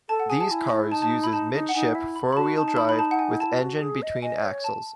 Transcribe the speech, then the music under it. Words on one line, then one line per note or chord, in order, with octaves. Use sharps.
These cars uses mid-ship, four-wheel drive, with engine between axles.
A4 A5
F#5
G#4 G#5
A5
E4 G#5
E4
D#4 A5
A5
E4 B5
D#4 A5
D#4
F#5
D#4 G#5
E4 E5
B5
B5
F#4 A5
D#4 A5
A5
B5
B5
A5
F#5
G#5
E4 A5
F#4
G#4
D#5
D#5 G#5
C#5
A5